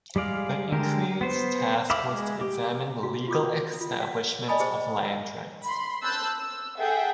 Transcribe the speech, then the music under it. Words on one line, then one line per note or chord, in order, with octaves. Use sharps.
The Inquiry's task was to examine the legal establishment of land rights.
G3 G#3 D5 F5
D3 G#3 G4 A#4
B3 C5
E5 F5 B5 D6
G#3
G4
F#4
F4 F#4 D6 D#6
F4
C#5 F#5
D5 D#5 G#5 A5 B5 D#6
G#4 C5 D#5
B5 C6
A5 E6 F#6 G6
E6
G#4 A4 E5 F#5 G5